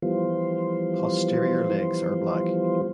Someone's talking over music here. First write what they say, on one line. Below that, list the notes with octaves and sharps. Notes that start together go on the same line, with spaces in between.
Posterior legs are black.
E3 F3 G3 B3 F4 C5